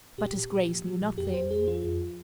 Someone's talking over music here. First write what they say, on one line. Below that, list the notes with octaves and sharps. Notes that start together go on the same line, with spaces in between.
But his Grace knew nothing.
A#2 G4
A#2
A#2
F3
F3
A#2
F2 G4
F2 C5
F2 G#4
F3 F4
F2